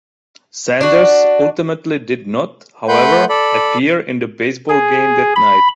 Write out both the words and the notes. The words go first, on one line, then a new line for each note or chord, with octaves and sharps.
Sanders ultimately did not, however, appear in the baseball game that night.
D4 F#4
A3 B4 F#5 B5 C6 G6
A4 D5 B5
G#4
B5